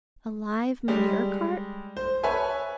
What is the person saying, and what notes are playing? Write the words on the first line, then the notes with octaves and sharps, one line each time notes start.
A live manure-cart?
G3 G#3
C5
B4 C#5 E5 G#5 A5